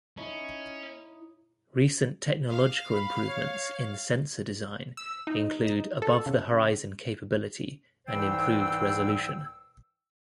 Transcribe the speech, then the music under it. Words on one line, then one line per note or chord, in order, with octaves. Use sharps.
Recent technological improvements in sensor design include above-the-horizon capability and improved resolution.
C#4 D#4 E4 C#5
F5
B5
C#5
E6
D#4
A4
C#3
C2 G#2 E3 C5 G5 E6